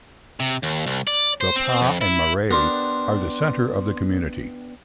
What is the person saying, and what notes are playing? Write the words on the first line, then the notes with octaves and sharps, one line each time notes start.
The Pa and Marae are the centre of the community.
C3
D#2
C2
D5
C5
C4
F2
E4
B3 D4 G4 A#4 C5 D5